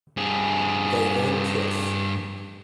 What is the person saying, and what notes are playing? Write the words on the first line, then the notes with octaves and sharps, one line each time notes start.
They then kiss.
G2 G#4